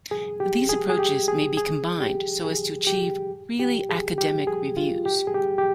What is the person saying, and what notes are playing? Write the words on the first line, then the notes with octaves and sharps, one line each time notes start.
These approaches may be combined so as to achieve really academic reviews.
G#4
G4
G#4
G#4
G4
G#4
G#4
G4
G#4
G4
G4
G#4
G4
G#4
F4
G4
G#4
G4
G4